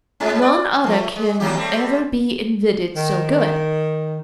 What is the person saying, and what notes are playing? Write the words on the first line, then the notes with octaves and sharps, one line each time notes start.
None other can ever be invented so good.
G#2 G#3 C#4
D5
F3 A3
G#3
D#2 F#3 G4
G3 A3 C4
D#3